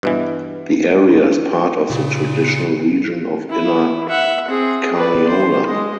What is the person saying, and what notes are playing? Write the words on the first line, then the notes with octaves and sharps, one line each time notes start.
The area is part of the traditional region of Inner Carniola.
G2 B2 E3
A#2 C#3
E4
E5 F#5
C4 G#4
B4 D5
C5
G#3 D#5